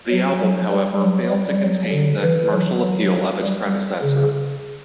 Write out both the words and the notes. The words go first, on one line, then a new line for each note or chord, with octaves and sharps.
The album, however, failed to contain the commercial appeal of its predecessor.
F#3
F#3
G3
F#3
G3
F#3
D3
E3
F#3
G3
C#3